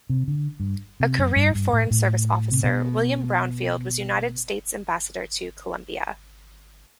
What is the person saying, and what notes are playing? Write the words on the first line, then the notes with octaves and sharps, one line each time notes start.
A career Foreign Service Officer, William Brownfield was United States Ambassador to Colombia.
C3
D3
G2
C3
F#2
G2
G2
A2
A2
C3
B2